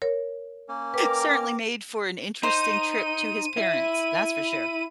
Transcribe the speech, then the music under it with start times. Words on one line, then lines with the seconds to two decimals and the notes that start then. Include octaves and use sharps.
Certainly made for an interesting trip to his parents, that's for sure.
0.02 A#4 C#5
0.69 A#3 C#4
0.94 A#4 B4 G5 D6
2.43 D#4 C5 D#7
3.58 E4